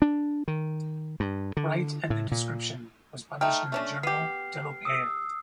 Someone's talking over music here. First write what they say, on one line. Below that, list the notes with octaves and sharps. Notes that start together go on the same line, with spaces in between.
Wright and the description was published in the journal "Telopea".
D4
D#3
G2
D3
A2
A#2
A3 D#4 G5 F6
A3 C#4 D4
B3 G4 C7
D#6 E6